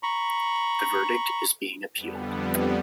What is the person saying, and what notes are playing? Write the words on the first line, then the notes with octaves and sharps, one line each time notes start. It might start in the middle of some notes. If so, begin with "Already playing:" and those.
The verdict is being appealed.
A#5 B5 C#6
F2 D3 G3 B3